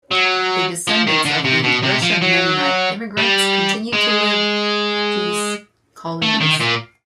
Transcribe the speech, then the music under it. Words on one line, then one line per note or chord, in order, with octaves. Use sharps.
The descendants of the Russian Mennonite immigrants continue to live these colonies.
F#3
F3
D#3
D3
C3
B2
C3
F3
F#3
G3
G#3
A3
D#3
A#2